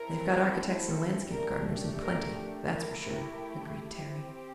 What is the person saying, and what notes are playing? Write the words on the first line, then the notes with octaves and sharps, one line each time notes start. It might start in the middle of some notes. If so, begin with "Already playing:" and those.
"They've got architects and landscape gardeners in plenty, that's sure," agreed Terry.
Already playing: C4 E4 A4 A#4
A3 D4 G4 A#4
A#4
A3 E4 G4 A#4
C4 G4